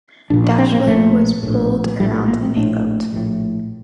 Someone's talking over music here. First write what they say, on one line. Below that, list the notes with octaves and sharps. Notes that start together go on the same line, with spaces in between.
Dashwood was pulled around in a boat.
A#1 A#2 D4
D4
C4
A#3
A#1 A#2 A3
A#1 A2
A#1 A2 G3
A3
A#3
C4
A#1 A2 D4
A#1 A2